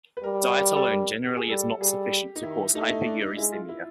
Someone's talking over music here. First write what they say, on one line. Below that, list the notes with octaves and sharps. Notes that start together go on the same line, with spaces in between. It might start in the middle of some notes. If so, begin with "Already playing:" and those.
Diet alone generally is not sufficient to cause hyperuricemia.
B4
G3 A#4
A#4
A4
A#4
G4
G#4
G3 A4
G3 G#4
G4
D#4
D#3 E4
A3 D#4
E4
D#4
D4
D#4
G#3 E4
F4
E4